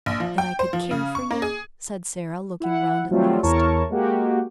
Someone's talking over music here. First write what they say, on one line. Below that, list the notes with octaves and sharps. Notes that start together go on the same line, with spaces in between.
"That I could care for you?" said Sara, looking round at last.
A#1
F3
G5
C5
F3
C#3
C#6
A#3
G#4
E4 F#5
F#3 G3 A3 C4 F4
E2 E4 A#4 C#5 A5 C#6
G#3 A#3 F#4 G4